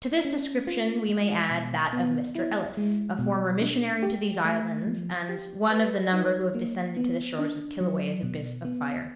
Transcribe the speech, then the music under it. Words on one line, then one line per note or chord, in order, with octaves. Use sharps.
To this description we may add that of Mr. Ellis, a former missionary to these islands, and one of the number who have descended to the shores of Kilauea's abyss of fire.
C#4
F4
G#3
B2
B3
E4
G#3
B2
D4
G4
A3
F3
G4
B4
D#4
A#3
B3
D4
F#3
B2
B3